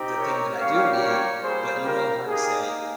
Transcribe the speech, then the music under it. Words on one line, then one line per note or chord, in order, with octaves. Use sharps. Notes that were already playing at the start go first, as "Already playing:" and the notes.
'The thing that I do need,'" but you know how to say
Already playing: C4 D#4 G4
A#4 C#5
G3 A#3 C#4 G4 C#5 F5
A#4 C#5
G3 A#3 F4 G#4 C5
G4 A#4
A#3 D#4 G4 G#4